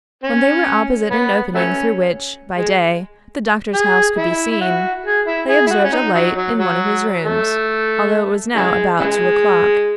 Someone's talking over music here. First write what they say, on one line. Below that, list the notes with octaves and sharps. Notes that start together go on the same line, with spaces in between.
When they were opposite an opening through which, by day, the doctor's house could be seen, they observed a light in one of his rooms, although it was now about two o'clock.
C#4
B3
F#3 A3 C#4
G#3
G#4
E4
E4
F#4
G#4
E4
G#4
E4
F#4
C#4
D#4
F#3
F#3
F#3
A3
C#3 E3 G#3
C#3 E3 G#3